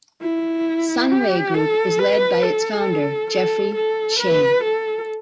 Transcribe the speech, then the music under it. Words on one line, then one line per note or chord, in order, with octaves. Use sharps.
Sunway Group is led by its founder, Jeffrey Cheah.
E4
G4
A4
B4
A4
A4
A4
B4
A4